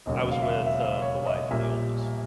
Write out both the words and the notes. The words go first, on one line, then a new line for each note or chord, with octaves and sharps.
I was with, uh, the wife and the oldest,
E1 D#2 C#3 F#3 D#5
F5
E5
E5
F5
C#5
D#5
A#1 A#2 G3 A#3 E5